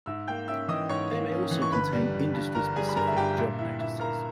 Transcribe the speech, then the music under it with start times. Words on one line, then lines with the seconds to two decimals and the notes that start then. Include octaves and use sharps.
They may also contain industry-specific job notices.
0.06 G#2 E5 E6
0.28 A#3 G5 G6
0.48 C#4 E5 E6
0.68 E3 D#5 D#6
0.89 G#2 C#5 C#6
1.10 A#3
1.32 C#4
1.51 E3
1.62 C#6
1.72 G1 B4 B5
1.93 G3
2.14 G1
2.34 G2
2.55 G1 A#4 A#5
2.76 G3 G#4 G#5
2.89 B5
2.96 G1 A#4 A#5
3.07 E5
3.17 G2 G4 G5
3.38 A#2 E5
3.59 E4 E5
3.79 A#2 E5
4.00 A#3 A#4 A#5